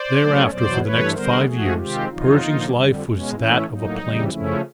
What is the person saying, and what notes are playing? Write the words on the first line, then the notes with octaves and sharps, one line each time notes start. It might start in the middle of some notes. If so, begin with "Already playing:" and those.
Thereafter, for the next five years, Pershing's life was that of a plainsman.
Already playing: C5 D5
B2 F#3 A3 C#4
E2 B2 F#3 C5 D5
G2 E3 A3 B4 C#5
D3 G3 B3 A#4 C5
G#2 F3 A3 F#4 G#4
C3 D#3 G#3 C4 F4 G4
F2 C3 D#3 F#3 D#4 F4
D3 F3 A#3
F2 D3 G3
B2 G#3 C#4
A2 E3 A3 C#4 E4
A2 F#3 A#3 D#4
F2 C#3 E3 G3
C#3 F3 A3 C#4 E4